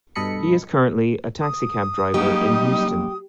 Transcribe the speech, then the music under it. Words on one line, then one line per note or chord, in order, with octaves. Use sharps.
He is currently a taxi cab driver in Houston.
G2 B2 A4 D#5 B5 C#7
D#6
F#3 G3 A#3 D#4 G4 D#5 F#5